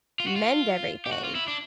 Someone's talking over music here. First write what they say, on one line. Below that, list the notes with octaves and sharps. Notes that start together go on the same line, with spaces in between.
mend everything,
F4
F#4
F4
G4
F#4
F4
E4
D4